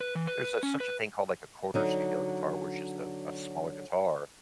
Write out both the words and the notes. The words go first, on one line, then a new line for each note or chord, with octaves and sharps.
there's such such a thing called, like a quarter scale guitar where it's just a a smaller guitar,
B4
E3
B4
C#4
B4
D3 F#3 D#4